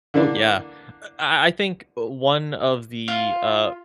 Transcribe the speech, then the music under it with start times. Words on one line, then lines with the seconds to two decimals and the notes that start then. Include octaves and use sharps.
Oh, yeah, uh, I I think one of the, uh,
0.14 D3 E3 A#3 D4
3.08 F4